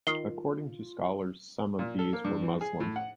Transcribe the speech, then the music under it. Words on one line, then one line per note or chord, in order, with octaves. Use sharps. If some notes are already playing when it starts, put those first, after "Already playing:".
According to scholars, some of these were Muslim.
D#3 F4 C7 G7
A#2
A4
A#3
G2
E3
G#4
A2
F#5